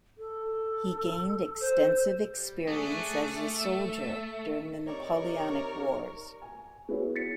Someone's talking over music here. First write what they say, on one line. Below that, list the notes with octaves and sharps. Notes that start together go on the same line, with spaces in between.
He gained extensive experience as a soldier during the Napoleonic Wars.
A4
C5
G3
A3 D4 F#4 G#4
E6
C3 D#4 A#4 C#5 D5 C#6
G#5
B3 E4 F#4 G#4 B4 C#5
A6 B6 C#7